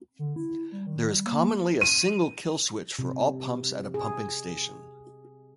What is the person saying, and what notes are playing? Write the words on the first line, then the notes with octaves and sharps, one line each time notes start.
There is commonly a single kill switch for all pumps at a pumping station.
D3
E4
G3
D#3
G3
A#3
D#7
C3
G#4